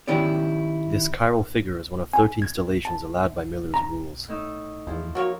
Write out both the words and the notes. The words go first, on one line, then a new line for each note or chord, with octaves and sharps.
This chiral figure is one of thirteen stellations allowed by Miller's rules.
D#3 B3 C#4 E4 G4 D5
G#5
G#6
A5
A#5
A2 D#4 E6
E2 F3 E4
F#3 A#3 F#4 A#4 C#5